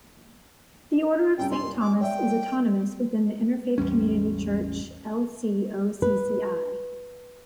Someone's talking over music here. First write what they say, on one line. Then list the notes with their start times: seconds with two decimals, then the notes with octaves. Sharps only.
The Order of St.Thomas is autonomous within the Interfaith Community Church, Lcocci.
1.38 C2 F#2 G3 G5
1.51 C6
1.81 G#5 D6
2.01 C#5 D5 E5 G5
3.78 A1 E2 G3 C#4
6.02 B4